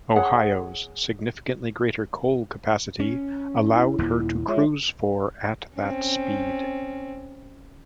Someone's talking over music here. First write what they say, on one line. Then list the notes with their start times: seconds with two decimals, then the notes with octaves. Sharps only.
"Ohio"s significantly greater coal capacity allowed her to cruise for at that speed.
0.16 G#4 C#5 F#5
3.00 C#4
3.66 E4
3.98 D#2 A#2
4.48 G#3 F4 C#5 E5
5.77 C4 C#4